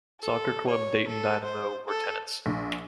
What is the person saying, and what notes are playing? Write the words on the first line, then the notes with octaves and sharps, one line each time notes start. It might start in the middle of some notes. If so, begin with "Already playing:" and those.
Soccer club Dayton Dynamo were tenants.
A4
C#5
A4
C5
A4
A#1